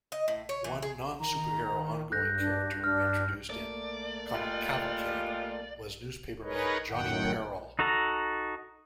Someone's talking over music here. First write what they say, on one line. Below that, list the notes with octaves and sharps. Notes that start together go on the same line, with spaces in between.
One non-superhero ongoing character introduced in "Comic Cavalcade" was newspaperman Johnny Peril.
D#5
A2
C#5
E3
G#4
D#3 A#5
G2 A4 F#6 G6 A#6
D4
D4 F6
A3 A#3 D5
G3 G#3 F4
D#4 G#4 A#4 B4 C#5 D#5
F#2 A2 D#3 F#5 G5
D#4 F#4 A4 A#5